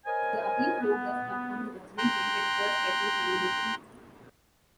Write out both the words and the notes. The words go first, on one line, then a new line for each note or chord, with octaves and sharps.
The appeal court thus confirmed the judgement given by the First Special Criminal Court.
A#4 C5 C#5 D#5 G#5
B3
G5 A#5 C6 F#6